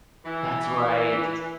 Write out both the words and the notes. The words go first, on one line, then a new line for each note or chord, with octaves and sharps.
That's right.
E3